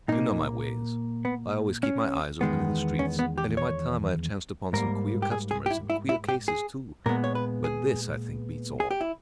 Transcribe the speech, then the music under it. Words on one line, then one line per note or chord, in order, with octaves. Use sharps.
You know my ways; I always keep my eyes open in the streets, and in my time I have chanced upon some queer customers, and queer cases too, but this, I think, beats all.
A#2 A#3 D#4
B3
C#4
E2 D#3 G#3 B3
C#4
B3
G4
C#5
G#2 G3 A#3 A#4
G4
G#4
G#4
G4
E4
E4
E4
G4
G#4
A#2 G#3 B3 A#4
C#5
B4
G#4
G#4
G4
E4